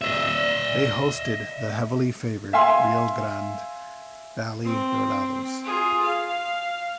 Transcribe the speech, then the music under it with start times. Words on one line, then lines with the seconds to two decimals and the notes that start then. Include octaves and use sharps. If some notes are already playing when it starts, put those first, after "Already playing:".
They hosted the heavily favored Rio Grande Valley Dorados.
0.02 D#5 E5
2.53 E5 F5 G#5 C6
4.65 C4
5.64 F4 G#4
6.03 F5